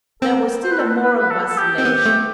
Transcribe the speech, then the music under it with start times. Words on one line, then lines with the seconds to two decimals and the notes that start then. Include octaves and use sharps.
There was still a moral vacillation.
0.22 C4 A4
0.63 C5
0.71 B4
0.79 A4
0.88 B4
1.03 B4
1.19 B4
1.31 A4
1.49 A4
1.58 G4
1.78 C4
1.85 B3
2.06 A3